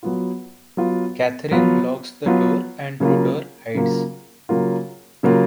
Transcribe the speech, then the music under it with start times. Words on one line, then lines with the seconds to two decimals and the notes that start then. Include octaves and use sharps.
Catherine locks the door and Tudor hides.
0.03 F#3 B3 F4
0.77 F#3 B3 F4
1.51 F#3 B3 F4
2.26 F#3 B3 F4
3.00 C#3 F#3 A#3 F4
3.74 C#3 F#3 A#3 F4
4.49 C#3 F#3 A#3 F4
5.23 C#3 F#3 A#3 F4